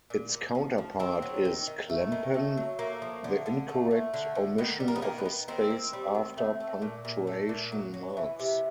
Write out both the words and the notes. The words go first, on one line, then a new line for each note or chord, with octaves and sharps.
Its counterpart is Klempen, the incorrect omission of a space "after" punctuation marks.
A#2
A#2
F3
F3
D#3 C4
F#3
D#3
D#3
A3
D#3
A3
F#3
A3 A#3
F3
D3
D3
A3
A3
D3
D3
D#3 B3
G3
A#3
B3
D#3 A#3
B3
D#3
D#3 C4
A#3
G3
D#3
A3
A3
A#2
A#2
A3
A#2
F#3
F#3
E3
C3